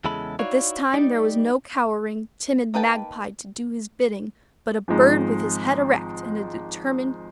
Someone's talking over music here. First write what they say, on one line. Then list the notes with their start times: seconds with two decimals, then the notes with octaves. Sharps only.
But this time there was no cowering, timid magpie to do his bidding, but a bird with his head erect and a determined voice.
0.04 E2 C#3 G#3 E4 A4 B5
0.39 D#4 E4 F#4 C#5 D5 F5
0.94 G3 D#4 D5
2.74 A#3 D#4 B4 G5 A5
4.88 G#1 F3 G#3 D#4